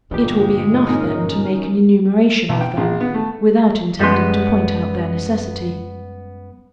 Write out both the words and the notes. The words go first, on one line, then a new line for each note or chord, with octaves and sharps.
It will be enough then to make an enumeration of them, without intending to point out their necessity.
G2 A#2 D3 E3 G3 G#3 G4
C#4 D#4 A#4
B1
G5
A#1
B3
A3
F#2 G3 G#3 B3 C6